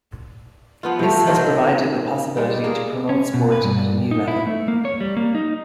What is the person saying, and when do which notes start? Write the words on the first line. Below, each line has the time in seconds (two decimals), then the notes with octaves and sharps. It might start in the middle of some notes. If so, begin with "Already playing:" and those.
This has provided the possibility to promote sport at a new level.
0.83 F3 B3 F4
0.99 C3 A3
1.26 D#3 F#3 A#3 C5
2.37 G3 G#3
2.64 A#3 G#4
3.09 C#4
3.34 B2
3.52 B4
3.65 G2
4.11 D#4
4.28 E4
4.47 A3
4.68 A#3
4.85 C#5
5.00 G3
5.17 A#3
5.35 D#4